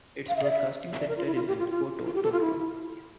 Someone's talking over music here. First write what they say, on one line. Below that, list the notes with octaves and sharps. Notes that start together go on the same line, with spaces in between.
Its broadcasting center is in Koto, Tokyo.
F5
E5
D5
E5
D5
A#4
F4
E4
F4
G4
F4
F4
F4
G4
A4
F4
E4